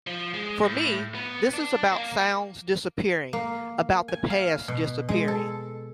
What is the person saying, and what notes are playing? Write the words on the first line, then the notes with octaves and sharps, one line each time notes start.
For me this is about sounds disappearing, about the past disappearing.
F3
G#3
A2
B3
D4
A#3
A#3
G#5
F5
B2
G#3
A4